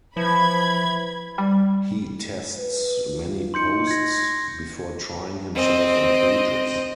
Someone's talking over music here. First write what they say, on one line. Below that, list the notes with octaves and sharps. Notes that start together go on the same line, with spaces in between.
He tests many posts, before trying himself in cages.
E3 F3 B5 G#6
G3
B4
F4
D#4 C6 G6 C#7
G#6 A#6
C4 D#5